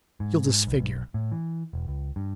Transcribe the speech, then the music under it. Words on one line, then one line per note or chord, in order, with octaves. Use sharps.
'You'll disfigure.
G#2
G#2
B1
B1
A2
E3
E1
C#2
G2